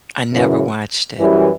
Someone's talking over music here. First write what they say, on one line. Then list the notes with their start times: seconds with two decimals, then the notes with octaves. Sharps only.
I never watched it.
0.33 F#2 C#3 E3
1.19 F#2 E3 G3